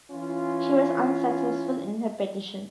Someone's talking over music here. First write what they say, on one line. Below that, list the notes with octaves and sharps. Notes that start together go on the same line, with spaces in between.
She was unsuccessful in her petition.
E3 C#4 F4